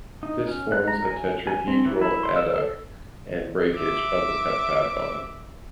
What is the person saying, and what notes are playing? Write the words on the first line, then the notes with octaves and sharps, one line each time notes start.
This forms a tetrahedral adduct and breakage of the peptide bond.
D#4
C#4
F#6
A#5
G#5
G#5
C4
E3
E4
C6
E6
A4
E5 D6